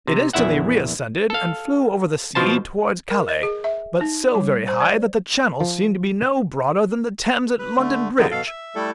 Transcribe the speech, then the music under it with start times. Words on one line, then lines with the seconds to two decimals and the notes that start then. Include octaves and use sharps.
It instantly reascended and flew over the sea towards Calais, but so very high that the Channel seemed to be no broader than the Thames at London Bridge.
0.07 C3
0.33 A#1 E2 E4 E5 F#5
1.30 A4 F5
2.35 B2 F3 C5 A5
3.10 A#4
3.29 D#5
3.43 G#4
3.64 E5
4.01 D#4
4.35 G3
4.68 C5
4.80 D5
5.61 F3
7.59 B4
7.78 D3 A3
8.18 D3 F3 B3 C4 D#4
8.31 B2 A4 F5
8.47 E5
8.75 G3 A3 E4 A4